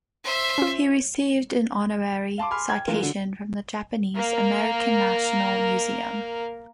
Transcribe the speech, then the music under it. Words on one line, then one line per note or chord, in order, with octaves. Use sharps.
He received an honorary citation from the Japanese American National Museum.
C5 E5
C#4 F4
F5 A5 C6 D6
G#5 B5 C6 F6
G5 G#6
E3 G#3 A3 F4 A#4
D3 F#3
A#3 A#4